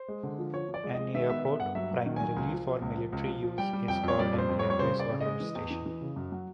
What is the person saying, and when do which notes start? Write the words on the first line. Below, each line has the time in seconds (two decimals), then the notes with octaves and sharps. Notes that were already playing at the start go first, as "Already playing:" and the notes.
An airport primarily for military use is called an airbase or air station.
Already playing: C5
0.08 G#3
0.23 D3
0.38 F3
0.53 F3 C#5
0.68 F3
0.74 D5
0.84 G#3
0.94 D#5
0.99 G#3
1.14 D#3 E5
1.30 B3 E5
1.45 B3 E5
1.60 G2 F#5
1.75 F#3 E5
1.91 F#3
2.06 D#3
2.16 F#3 G#5
2.36 C#2
2.51 F3
2.67 F3
2.82 C#2
2.97 F3
3.13 C#2
3.28 F3
3.43 F3
3.58 G3 G5
3.73 G3
3.88 F2 G5
4.03 F2 C#5
4.19 G3 D5
4.34 F2 C5
4.49 F2
4.59 C#5
4.64 G3
4.70 C#5
4.79 C#3 C5
4.95 C#3 D5
5.10 C#3
5.20 D#5
5.26 G#3
5.40 E3
5.55 E2
5.71 E3
5.86 E3
6.01 C#3
6.16 F#2
6.32 F#3